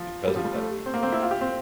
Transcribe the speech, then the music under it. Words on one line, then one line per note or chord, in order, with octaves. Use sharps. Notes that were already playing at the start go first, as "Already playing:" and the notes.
because of that situation.
Already playing: F3
G3
F3
G3
A3
C4
A#3
C4
E4
F4
G4
C4